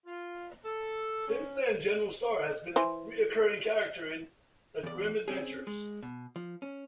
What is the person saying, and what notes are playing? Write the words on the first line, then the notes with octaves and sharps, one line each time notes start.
Since then General Skarr has been a recurring character in the "Grim Adventures".
F4
A4
C#4
E3 C5
E2 D5
C4 C#4 G#4
G#3
B2
F3
C#4